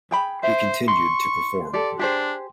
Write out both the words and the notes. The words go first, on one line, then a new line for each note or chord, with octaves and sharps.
He continued to perform.
G#4 G5 B5
C5 E5
C6 C#6
G4 A4 D5
D4 G4 G#4 C5